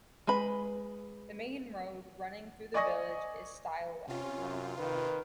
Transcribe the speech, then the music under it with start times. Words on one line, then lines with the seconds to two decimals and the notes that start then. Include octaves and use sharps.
The main road running through the village is Stile Way.
0.27 G#3 B4 B5
2.74 D5 D#5 G#5 C#6 D#6 A#6
4.08 C3 C#4 F4
4.38 F#2
4.78 D#3 B4